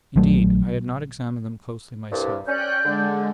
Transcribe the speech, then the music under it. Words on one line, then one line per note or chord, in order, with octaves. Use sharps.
Indeed, I had not examined them closely myself.
A#1 D#3 F#3 A3
C2 G2
C#4 D5 G5 F#6 G6
D3 G#3